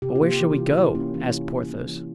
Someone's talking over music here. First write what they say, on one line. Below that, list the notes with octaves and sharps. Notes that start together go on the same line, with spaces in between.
"But where shall we go?" asked Porthos.
C3 G4
F4
A#3
G4
E3
C3 F4
C3 E4
A#3 C#4
E3 C#4
C3
C3
A#3
E3